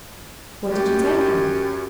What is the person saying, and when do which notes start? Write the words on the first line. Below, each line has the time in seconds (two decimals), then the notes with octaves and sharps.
'What did you take her?'
0.69 F#2 G4